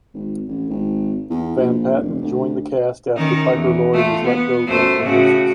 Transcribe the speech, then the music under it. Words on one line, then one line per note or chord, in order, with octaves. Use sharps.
Van Patten joined the cast after Piper Laurie was let go during rehearsals.
G#1
A1
G#1
E2
A#1
F1
D2
D#3 C#4 D#4
E2
A3 F4
B3
F#2 A3 C5
A2 C#3 F#4